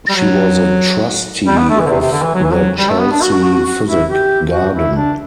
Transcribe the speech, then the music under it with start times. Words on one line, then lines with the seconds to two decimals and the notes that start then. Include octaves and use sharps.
She was a Trustee of the Chelsea Physic Garden.
0.09 G3
0.16 F#3
1.47 G3
1.57 B3
1.69 A3
1.80 E3
1.85 D3
1.90 C3
2.01 C3
2.12 D3
2.23 E3
2.34 F#3
2.44 E3
2.52 F#3
2.79 G3
2.89 A3
2.99 B3
3.11 D4
3.21 F#4
3.33 F#4
3.44 F#4
3.55 F#4
3.66 F#4
3.88 E4
4.09 G4
4.52 F#4
4.76 E4
4.96 D4